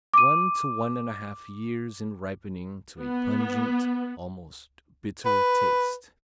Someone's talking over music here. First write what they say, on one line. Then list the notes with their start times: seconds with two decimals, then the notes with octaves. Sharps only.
One to one-and-a-half years in ripening to a pungent, almost bitter taste.
0.14 D6 D#7
2.99 B3
5.26 B4